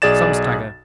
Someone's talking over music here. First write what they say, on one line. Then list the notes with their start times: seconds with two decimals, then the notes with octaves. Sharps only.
Some stagger.
0.02 B1 G#4 D5 A6 E7